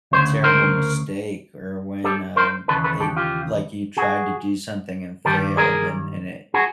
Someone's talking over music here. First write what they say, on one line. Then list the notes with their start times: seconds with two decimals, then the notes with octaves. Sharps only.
a terrible mistake or when, um, it like, you tried to do something and failed, and and it
0.12 D2 C#3 C5
0.44 A#4 C5
2.04 G4 A4
2.36 A#4 C5
2.68 D#2 C#3 E3 A4 B4
2.84 A4 B4
3.00 G4 A4
3.17 F4 G4
3.97 F#4 G#4
5.25 G2 D#3 G3 G4 A4
5.57 G#4 A#4
6.54 F#4 G#4